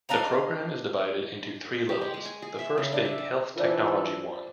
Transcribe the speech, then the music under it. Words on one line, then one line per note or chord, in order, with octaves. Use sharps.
The program is divided into three levels, the first being Health Technology One.
D4 D#5 F5 A#5
G4
G#3
G#3
G#5
G#4
E5
C#3
D4
E5
D5
E3 D4 F4 A4 C5 D5